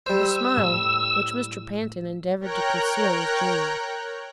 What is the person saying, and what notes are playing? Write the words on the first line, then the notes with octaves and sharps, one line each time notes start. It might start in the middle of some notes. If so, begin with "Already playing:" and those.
The smile which Mr. Pantin endeavored to conceal was genuine.
G3 C5 E6
A2
A#4 C#5 G5 A#5 F#6